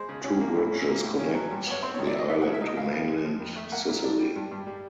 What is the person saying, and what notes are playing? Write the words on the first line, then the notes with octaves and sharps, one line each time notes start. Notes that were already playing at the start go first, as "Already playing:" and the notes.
Two bridges connect the island to mainland Sicily.
Already playing: G#3 C5
C#3
C#4
A#3
A2
C#4
A#3
A2
C#4
F#3
G2
B3 C#5
C4 C5
C#5
D#3
D5
E4 D#5
B3 E5
F#5
C#3
E5
D#4 D#5
E3 F5
F2
G#3
F3
F2
A3
A#3 F#5
A#2
D4
G3
G2
G2
G3